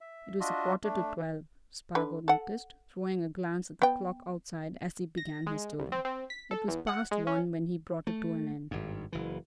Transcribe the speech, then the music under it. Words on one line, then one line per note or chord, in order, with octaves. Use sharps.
It was a quarter to twelve, Spargo noticed, throwing a glance at the clock outside, as he began his story; it was past one when he brought it to an end.
E5
D4 F4 F#4 D#5 E5
A3 D4
D3 B4
A4 F#5
B3 G5
A#6
G#3
C2
C4
C4
B6
A4
E2
F#5
G#3
C#4
A3
G#1 G2
F#1 E3